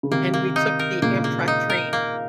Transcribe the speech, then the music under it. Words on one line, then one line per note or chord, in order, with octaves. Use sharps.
and we took the Amtrak train,
C#3
C3 D#3 A#3
A#3
D#4
A#4
A#2 C#3 A#3
A#3
D#4
A#4
A#3